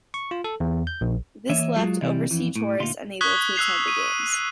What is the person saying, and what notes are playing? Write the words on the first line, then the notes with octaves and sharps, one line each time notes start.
This left overseas tourists unable to attend the Games.
C#6
F4
A4
E2
G6
A#1
E3 A#3 C#5 D#5 E5
F#3 G#3 F4
C3 E3 G3
F2 E3
A2
D2 A#2 D#4 F4 C6
C#6 D#6 F#6 G#6 B6 G7
E6 F#6 C7 F7
D#7